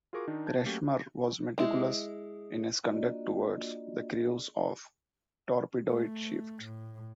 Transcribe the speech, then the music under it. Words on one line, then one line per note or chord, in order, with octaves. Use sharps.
Kretschmer was meticulous in his conduct towards the crews of torpedoed ships.
F4 F#4 G#4 A#4 C#6 D6
D#3 D4 D#4
A5 G6 G#6
F#3 A3 A#3 C#4 F#4 G4
G#3 E4
A#3 D4 F4 F#4 D5 D#5
A3
A2